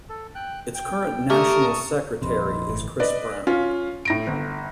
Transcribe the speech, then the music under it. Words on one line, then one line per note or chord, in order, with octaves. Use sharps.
Its current National Secretary is Chris Brown.
A4
G5 F#6
G5
A3 G4 A#4 A5 C#6 D#6
A#1 F2 C3 D#5 B5 C6
G1 A2 E3
B4 D5 D#5
C#4 F4
A2 A#6 D7
G1